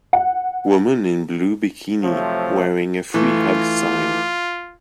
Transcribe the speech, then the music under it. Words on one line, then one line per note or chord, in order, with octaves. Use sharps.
Woman in blue bikini wearing a free hugs sign.
F#5
C3 F3 F#3 A3
E3 A3 F4